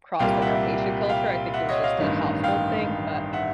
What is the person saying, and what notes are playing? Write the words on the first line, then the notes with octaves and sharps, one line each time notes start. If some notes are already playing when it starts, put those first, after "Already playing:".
across, like, our Haitian culture. I think it was just a household thing but,
C2 A#2 G3 A#3 F5 G5
E5 F#5
F5 G5
E5 F#5
C#5 D#5
D#5 F5
A1 G2 D#3
F5 G5
E5 F#5